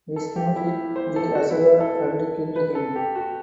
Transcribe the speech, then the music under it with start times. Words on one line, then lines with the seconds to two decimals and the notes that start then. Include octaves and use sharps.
Vishnu hit the asura and killed him.
0.16 A4
0.36 G4
0.56 E4
0.96 C5
1.16 A4
1.35 F#4
1.50 E4
1.80 A4
2.56 B4
2.75 A4
2.96 G4
3.15 F#4